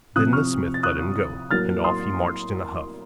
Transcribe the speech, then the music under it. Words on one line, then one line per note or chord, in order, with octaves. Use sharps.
Then the smith let him go, and off he marched in a huff.
C3 F3 C4 D#6 F#6
C#6 F6
A6
D#6 F#6
A2 F#3 A#3 F6 A6
C6 D#6